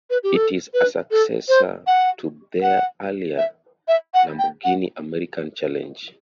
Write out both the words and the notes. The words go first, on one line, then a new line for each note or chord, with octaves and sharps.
It is a successor to their earlier "Lamborghini American Challenge".
B4
G4
A4
B4
A4
C5
F#5
F#5
E5
E5
F#5
G5
F#5